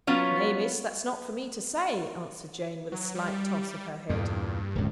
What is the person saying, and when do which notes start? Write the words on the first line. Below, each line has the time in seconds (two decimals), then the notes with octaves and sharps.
'Nay, miss, that's not for me to say,' answered Jane, with a slight toss of her head.
0.07 F#3 B3 C#4 F4
2.92 F#3
3.15 G3
4.09 E2 G2 A#2
4.75 D1 C#2